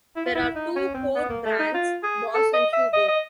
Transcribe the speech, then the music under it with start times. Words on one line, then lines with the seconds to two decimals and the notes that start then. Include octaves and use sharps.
There are two core brands, Boss and Hugo.
0.16 E4
0.26 F4
0.35 E4
0.55 D#4
0.76 C#4
0.94 C4
1.15 B3
1.29 A#3
1.45 A3
1.59 D#4
1.74 F4
2.04 G#4
2.34 A4
2.53 D#5
2.73 E5
2.93 D#5
3.08 D#5